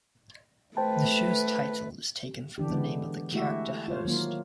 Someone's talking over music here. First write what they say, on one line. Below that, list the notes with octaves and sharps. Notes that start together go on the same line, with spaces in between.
The show's title is taken from the name of the character host.
A3 B4 C5 G5 A5
E3 D4 G4
D3 G#3 B3
G#3 A3 E4 F#4 G4 E5
F4 C5 C#5
D#3 F#3 A#3 F4